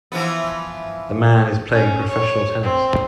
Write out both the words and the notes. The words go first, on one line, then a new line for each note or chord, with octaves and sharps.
The man is playing professional tennis.
E3 F3 B3
C#4
C#5
C4